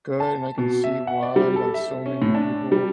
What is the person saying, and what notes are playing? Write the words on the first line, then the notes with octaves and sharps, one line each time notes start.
good and I can see why, like, so many people
A5
B2
E5
F#5
D5
G3
A4
E5
C#4
A2
D4
G3